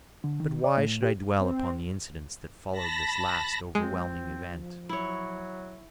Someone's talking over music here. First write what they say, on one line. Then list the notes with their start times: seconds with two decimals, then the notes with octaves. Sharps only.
But why should I dwell upon the incidents that followed this last overwhelming event?
0.24 D3
0.40 D#3
0.64 D5
0.77 A2
1.03 G4
1.40 C4
2.71 A5 B5 A#6
3.75 F3 G#3 C4
4.89 F#3 E4 C#5